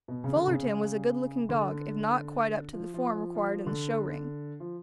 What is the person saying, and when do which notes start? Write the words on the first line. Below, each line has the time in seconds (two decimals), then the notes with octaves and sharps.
Fullerton was a good-looking dog, if not quite up to the form required in the show ring.
0.08 B2
0.24 C#3
0.36 D3
0.48 C#3
1.49 D3
2.73 F3
2.94 F3
3.15 F3
3.35 F3
3.67 D3
4.60 F3